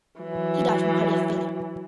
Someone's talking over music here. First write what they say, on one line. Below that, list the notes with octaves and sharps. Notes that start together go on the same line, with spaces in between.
He died from a cardiac failure.
E3 F#3